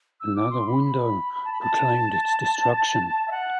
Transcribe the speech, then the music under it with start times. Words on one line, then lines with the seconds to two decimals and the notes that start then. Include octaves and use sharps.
Another window proclaimed its destruction.
0.20 E6
0.36 D6
0.51 C6
0.67 B5
0.83 B5
1.45 A5
1.53 B5
1.61 A5
3.28 E5
3.31 F#5